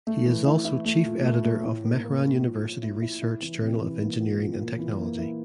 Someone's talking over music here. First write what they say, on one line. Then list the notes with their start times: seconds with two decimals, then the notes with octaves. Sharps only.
He is also Chief Editor of Mehran University Research Journal of Engineering and Technology.
0.07 A3
0.26 E3
0.46 E4
0.65 E4
0.85 A3
1.05 A#2
1.24 A3
1.44 A3
1.63 A2
1.84 A#3
2.04 A#3
2.23 A#3
2.43 F3
2.62 F3
2.83 E4
3.02 E4
3.22 E4
3.42 E3
3.61 C3
3.81 E3
4.00 A#3
4.20 A#2
4.39 A#2
4.59 A#3
4.79 E3
4.99 A#3
5.18 E4